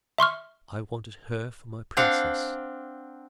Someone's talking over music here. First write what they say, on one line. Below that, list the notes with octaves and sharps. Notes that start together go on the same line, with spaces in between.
I wanted her for my princess.
E5 C6 C#6 F6
C4 D4 F5 F#5